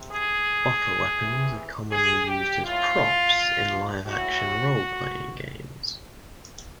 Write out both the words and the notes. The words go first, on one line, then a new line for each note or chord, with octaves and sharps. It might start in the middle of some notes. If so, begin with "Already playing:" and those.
Boffer weapons are commonly used as props in live action role-playing games.
Already playing: C3
G#4
C3 E3
G#4
G4
A2 E3 F4
A2 E3 F#4